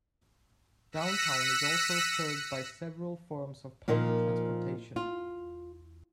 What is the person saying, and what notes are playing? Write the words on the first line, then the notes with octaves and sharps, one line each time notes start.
Downtown is also served by several forms of public transportation.
E6 F#6 A#6 B6 C#7 D#7
A#2 F3 A#3 D#4 A#4
F4